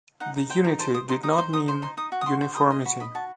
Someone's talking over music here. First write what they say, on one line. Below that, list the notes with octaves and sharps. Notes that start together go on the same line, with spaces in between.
The unity did not mean uniformity.
D#4 F#5
D#4
C5 G5
D#4
C5 A5
C5 D#6
D#4 C6
D#4 D#6
D#6
C5 C6
D#4 D#6
C5 C6
D#4 C6
D#4 D#6
F#4
D#6
F#4 C6
C5
C5 D#6
D#5 C6
F#4 B5
D#5 B5
F#4 A5